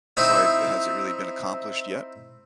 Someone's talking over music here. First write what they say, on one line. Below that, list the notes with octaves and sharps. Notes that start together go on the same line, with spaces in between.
it's why has it really been accomplished yet?
C4 D#4 E4